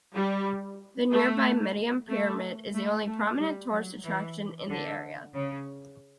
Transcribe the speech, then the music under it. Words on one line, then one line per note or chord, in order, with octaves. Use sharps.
The nearby Meidum pyramid is the only prominent tourist attraction in the area.
G3
A3
A3
A3
A3
G3
F#3
E3
D3
C#3